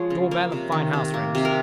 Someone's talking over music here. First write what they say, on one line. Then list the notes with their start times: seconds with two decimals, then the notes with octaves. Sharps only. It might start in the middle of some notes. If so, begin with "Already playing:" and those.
Door-bell of fine house rings.
Already playing: F3 G#3 C#5
0.10 C#3
0.31 A#3
0.52 C3
0.72 D#3
0.93 C3
1.14 A#3
1.35 C3
1.45 A#4